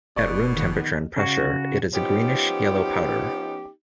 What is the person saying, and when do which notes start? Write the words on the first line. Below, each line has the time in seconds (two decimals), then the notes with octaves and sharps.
At room temperature and pressure it is a greenish yellow powder.
0.16 F1 D#2 B2 D5 C#6
0.56 D#3 B3
1.16 C#3 F#4
1.92 F3 B3 C#4 D#4 G4